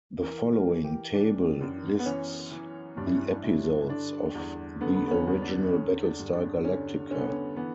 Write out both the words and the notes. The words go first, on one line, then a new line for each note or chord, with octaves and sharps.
The following table lists the episodes of the original "Battlestar Galactica".
E3 A#4
A#4
E3
G4
E3 D4
F#2
B3
E3 C#4
E3
G2 D4
E4
D4
G2 E4
E4
D3 D4
E2
D3 B3
B3
B3
C#4
E2
D4
D3 C#4
D4
G2
D4
D3 C#4
D3 C#4
B3
C#4
E3 B3